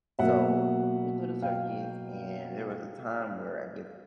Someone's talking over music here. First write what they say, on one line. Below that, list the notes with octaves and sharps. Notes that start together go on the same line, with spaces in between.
So, we went to the circus, and there was a time where, I guess,
B2 F#3 A#3 E5 F#5
F5 G5